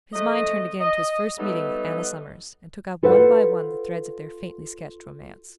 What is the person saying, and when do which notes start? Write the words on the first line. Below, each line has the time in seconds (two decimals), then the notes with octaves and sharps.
His mind turned again to his first meeting with Anna Summers and took up one by one the threads of their faintly sketched romance.
0.13 F2 A3 D#5
0.80 D#5
1.38 F#3 G3 A3 B3 D#4
3.03 F4 A4 B4 C5 D5 F#5